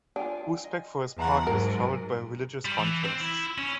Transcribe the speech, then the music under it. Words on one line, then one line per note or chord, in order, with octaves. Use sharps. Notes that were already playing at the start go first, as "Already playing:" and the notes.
Usbek for his part is troubled by religious contrasts.
D4 F4 G5 G#5
D#5 G#5
E2 B4 F#5 A5 A#5
G#2 F#3 A#4
G3
E3
C4
E4
C#4